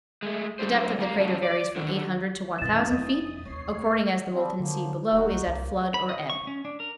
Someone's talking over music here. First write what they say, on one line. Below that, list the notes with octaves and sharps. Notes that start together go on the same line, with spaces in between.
The depth of the crater varies from eight hundred to one thousand feet, according as the molten sea below is at flood or ebb.
G#3 A3
F#3 A3 D4 G4 C5
F2 G#3 A#4 F5 A#5
F#2 C#3 F3 F#4 F5 A5
D5
D3 D#3
B1 F#2 C3 E3 D#5 A6 E7
F1 F2 D#6
F1 D#2 C#5 C7
F3 G3 C4
D3 F3 F#3 A#3
D1 D#4 F#4
B1
C2 A#3
B5
D#5
C#6
C#4
D4
A#4